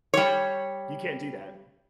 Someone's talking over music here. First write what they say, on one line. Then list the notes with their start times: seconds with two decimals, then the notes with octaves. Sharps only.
You can't do that.
0.14 G3 C#5